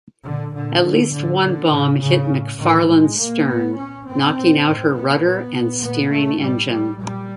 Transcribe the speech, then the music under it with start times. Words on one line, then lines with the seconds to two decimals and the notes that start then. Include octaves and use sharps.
At least one bomb hit "McFarland"s stern, knocking out her rudder and steering engine.
0.23 A#2 D3
0.53 A#2 D3
0.82 A2
1.11 A2 D3
1.40 A#2 D3
1.70 A2 C#3
1.99 A2 C#3
2.29 A2
2.58 A2 D#3
2.88 A2 G#3
3.17 A#2 A#3
3.47 A2 B3
3.75 A#2 C#4
4.05 A2 C4
4.34 A#2
4.64 A2
4.93 A#2 B3
5.22 A#2
5.52 A#2
5.81 A#2 B3
6.10 A#2 A3
6.40 A2 G3
6.69 A2 G3
6.98 A#2 G3